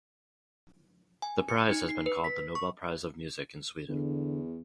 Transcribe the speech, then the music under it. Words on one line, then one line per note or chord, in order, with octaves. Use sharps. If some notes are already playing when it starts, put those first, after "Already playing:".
The prize has been called the "Nobel Prize of Music" in Sweden.
G#5
C#7
D#4
C7
B4
B6
C#6
E2 D3